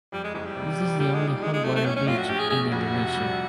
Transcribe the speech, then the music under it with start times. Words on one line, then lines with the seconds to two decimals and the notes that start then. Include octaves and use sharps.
This is the only hot water beach in Indonesia.
0.12 F2 G3
0.24 G#3
0.34 F#1 G#3
0.45 G3
0.56 C3
0.77 F3
0.99 A#2 G3
1.14 G#3
1.21 D#4
1.28 G3
1.43 G#3 D#4
1.53 G#3
1.64 F#3 A3
1.75 A3
1.85 A2 C#4
1.96 C#4
2.07 A#1 F4
2.18 F#4
2.29 A#1 G4
2.39 G#4
2.50 A#1 G#4
2.71 F2 F#4
2.94 C3
3.15 G3